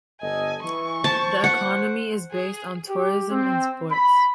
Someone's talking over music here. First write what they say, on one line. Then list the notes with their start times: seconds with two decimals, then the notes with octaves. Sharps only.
The economy is based on tourism and sports.
0.22 G1 A4 D#5 G#5
0.63 E3 C#6
1.04 C5 A5
1.44 F#5
2.32 G#4
2.89 G4
3.31 C4
3.91 B5